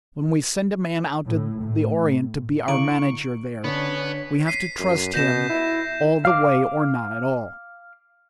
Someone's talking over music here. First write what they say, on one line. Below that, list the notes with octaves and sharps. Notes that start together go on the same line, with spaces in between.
When we send a man out to the Orient to be our manager there, we have to trust him all the way or not at all.
A2
A2
D3 E4 F5 A#5 C#6 D7 F#7
D3 B3 C#4 D4 C#5
B6 C7 D#7
F#2
B2 G6 A#6 E7
E4
F5 D6